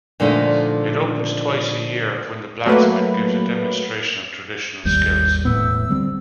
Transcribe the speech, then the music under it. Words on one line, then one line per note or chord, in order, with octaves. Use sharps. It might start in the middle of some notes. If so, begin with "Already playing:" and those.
It opens twice a year when the blacksmith gives a demonstration of traditional skills.
A#2 D3 F3 A3 D4 D#4
F#3 A3 A#3 B4
G#1 D#2 G3 G6
E1 A2 B3 E6
D3 G3 C4